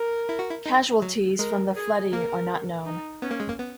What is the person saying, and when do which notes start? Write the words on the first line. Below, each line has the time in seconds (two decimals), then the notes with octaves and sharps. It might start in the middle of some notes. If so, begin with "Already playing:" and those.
Casualties from the flooding are not known.
Already playing: A#4
0.29 E4
0.39 F#4
0.50 E4
0.66 D#4
1.02 F#3
1.39 G#3 A#4
1.76 G#4
2.12 A#3 A#4
2.86 D#4
3.22 B3 C#4
3.31 A#3
3.40 G#3
3.48 A#3
3.59 B3